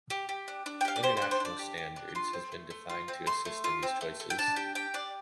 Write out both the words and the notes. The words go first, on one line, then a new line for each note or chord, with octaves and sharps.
International standards has been defined to assist in these choices.
G4
G4
D4
D4
G5
G4 F5
D5
G4 C5
D4 C5
C5
D4 D5
G4
G4
D4
F4 C6
C4
A3
A3
F4
C4
A3 C6
A3
F4
C4
A3
A3
G5
D4 A5
G4 G5
G4 G5
D4 D5